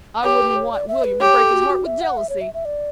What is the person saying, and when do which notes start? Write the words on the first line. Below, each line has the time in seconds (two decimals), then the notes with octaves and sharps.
I wouldn't want William to break his heart with jealousy.
0.24 G4 C#5
0.40 B4
0.56 C#5
0.72 D5
0.88 E5
1.04 B4
1.20 G4 C#5
1.37 A4
1.53 F#4
1.69 F#4
1.85 E5
2.01 F#5
2.17 E5
2.29 C#5
2.41 E5
2.54 E5
2.65 D5